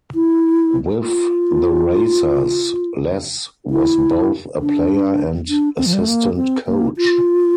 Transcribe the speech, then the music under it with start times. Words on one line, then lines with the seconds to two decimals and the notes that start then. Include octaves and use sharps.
With the Racers, Les was both a player and assistant coach.
0.15 E4
1.04 F4
3.70 E4
4.60 D4
5.49 D4
5.78 C4
5.86 F3
5.93 G3
6.01 A3
6.08 A#3
6.37 C4
6.67 A#3
6.97 F4